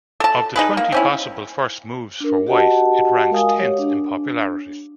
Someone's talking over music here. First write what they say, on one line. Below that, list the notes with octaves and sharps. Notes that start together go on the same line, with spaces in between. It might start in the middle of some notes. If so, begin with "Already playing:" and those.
Of the twenty possible first moves for White, it ranks tenth in popularity.
A4 A5
D#4 G#4 B4
A#3
C4 C#4 E4
D4 A#4
F#4 G4 D#5 F#5 A5
G#3 A#4 F5 G#5 D#6
G4 C#5
D4